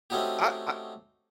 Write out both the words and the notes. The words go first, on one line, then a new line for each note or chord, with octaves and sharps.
I I
A3 C4 C#4 D#4 F#4 G4